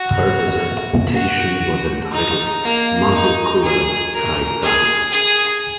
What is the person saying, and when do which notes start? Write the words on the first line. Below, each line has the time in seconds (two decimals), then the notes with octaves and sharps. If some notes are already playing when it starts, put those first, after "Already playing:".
Her dissertation was entitled "Mahu Kura Kai Tahu".
Already playing: F#4
1.13 F#4
2.12 D#4
2.63 A#3
3.13 D#4
3.63 G#4
4.13 A#4
4.63 G#4
5.12 G#4